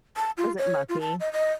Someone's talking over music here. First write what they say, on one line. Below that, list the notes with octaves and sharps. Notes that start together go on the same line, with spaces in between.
Was it mucky?
A5
F4
C#5
F4
A5
D#5
D#5